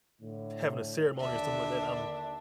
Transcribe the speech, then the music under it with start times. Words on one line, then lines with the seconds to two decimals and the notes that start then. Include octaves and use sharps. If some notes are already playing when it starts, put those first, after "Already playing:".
t having a ceremony or something like that, I'm
0.21 A2 D3
1.20 D#2 D3 D4 E5